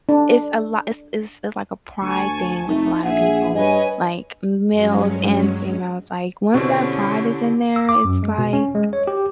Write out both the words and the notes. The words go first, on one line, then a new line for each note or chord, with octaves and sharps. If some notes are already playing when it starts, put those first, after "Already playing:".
it's a lot it's it's, like, a pride thing with a lotta people, like, m males and females, like once that pride is in there, it's, like
D4
D2 G#5 A5 C#6
F1 A3 D#4
A#1 G#4 E5 F#5
G2 B4 C#5 D#5 G#5
G2 F#3 G#3 C#4
B2 D3 C4 C#4 E4 G4
E6
D6
F#2
G#3
B2
C#4
G#3
C#5
G4